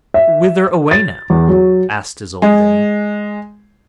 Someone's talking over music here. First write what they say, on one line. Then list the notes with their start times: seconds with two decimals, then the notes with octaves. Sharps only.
'Whither away, now?' asked his old dame.
0.14 E5
0.91 A6
1.30 E2
1.48 F#3
2.42 G#3